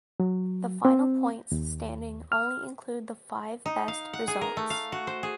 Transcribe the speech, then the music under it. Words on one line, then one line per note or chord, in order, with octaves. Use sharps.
The final points standings only include the five best results.
F#3
C4
D#2
F6
D#4
F5
F#5
G#4
A#4
A3
F5
F#4
C5
G#4